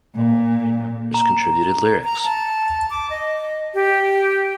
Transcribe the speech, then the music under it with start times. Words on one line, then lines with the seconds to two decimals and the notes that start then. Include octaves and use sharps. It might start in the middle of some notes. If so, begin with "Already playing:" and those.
All three members contributed lyrics.
0.15 A#2
1.14 A#5
2.04 A#5
2.24 A5
2.90 D6
3.10 D#5
3.74 G4